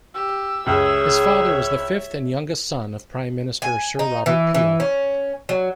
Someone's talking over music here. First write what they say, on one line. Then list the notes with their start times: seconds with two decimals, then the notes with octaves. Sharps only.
His father was the fifth and youngest son of Prime Minister Sir Robert Peel.
0.14 G4 E6
0.66 C#2 G#4 C#5 E5
3.62 G#5
3.99 D#4
4.26 E3
4.54 E3
4.80 C#4
5.49 F#3